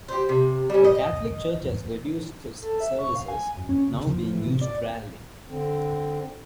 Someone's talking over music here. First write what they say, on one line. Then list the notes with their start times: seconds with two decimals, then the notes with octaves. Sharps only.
The Catholic church has reduced its services, now being used rarely.
0.08 G4 C5
0.29 C3
0.70 G3 C#4
0.84 D#5
2.62 A4
2.80 E5
2.99 C#6
3.15 F5
3.28 G#5
3.55 F#2
3.69 C#4
3.91 C#3
4.07 F3
4.32 E3
4.46 C3
4.62 D5
5.49 D3 C4